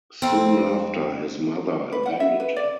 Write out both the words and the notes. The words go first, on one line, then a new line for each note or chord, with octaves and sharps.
Soon after, his mother abandoned him.
F2 C4
B4
F#5
E5
B4
D5